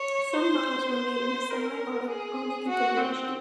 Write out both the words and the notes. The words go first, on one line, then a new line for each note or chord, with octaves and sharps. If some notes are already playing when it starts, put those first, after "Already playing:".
Some models were made in a semi-auto only configuration.
Already playing: C#5
C5
C5
A#4
G#4
F#4
C4